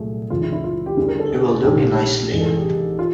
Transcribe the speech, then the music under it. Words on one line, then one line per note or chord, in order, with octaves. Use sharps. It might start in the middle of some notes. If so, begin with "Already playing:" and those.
It will do me nicely.
Already playing: C2 A#2 F#3 A3 G#4
C#2 C#3 E3 G#3 F4
E4
E4
F4
G4
D2 D3 G3 G#4
A#4
A4
G#4
A#1 G#2 D#3 G#3 G4
A1 G#2 E3 G#3 G#4
A4
G#4
G4
F4